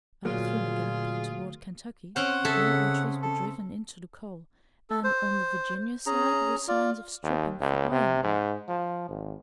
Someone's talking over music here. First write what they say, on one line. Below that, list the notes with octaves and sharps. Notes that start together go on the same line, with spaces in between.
Up through the Gap and toward Kentucky, more entries were driven into the coal, and on the Virginia side were signs of stripping for iron ore.
D2 A#2 F#3 A#3 F4 G#4
C4 C#4 C5 F#5
C#3 G#4 A4 E5
A4
A4
C5
C#4 G#4 A#5
F4 D5
D#2
C#2
C3
G#2
F3
G#1